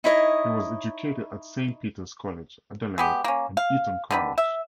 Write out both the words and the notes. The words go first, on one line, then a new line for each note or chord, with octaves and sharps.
He was educated at Saint Peter's College, Adelaide, and Eton College.
D#4 E4 C#5 D#5
G#3 B3 G4
A#3 C#4
F5
D3 D#3 B4
E5